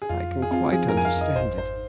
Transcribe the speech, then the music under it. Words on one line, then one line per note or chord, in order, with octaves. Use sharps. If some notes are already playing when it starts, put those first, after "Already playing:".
'I can quite understand it.
G#4
F2 F4
F2
G#4
C4 F4
F3 G#4
A#4
F2 G#5
F5
F2
D#5
G#1 C5
G#1 C5